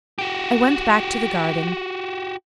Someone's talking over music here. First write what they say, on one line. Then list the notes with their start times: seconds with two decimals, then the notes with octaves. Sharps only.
I went back to the garden.
0.18 F#4 G4